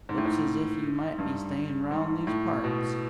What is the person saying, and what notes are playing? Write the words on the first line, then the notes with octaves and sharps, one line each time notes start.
Looks as if you might be stayin' round these parts!
G#2
A2
G#2
G2
G#2
A2
B2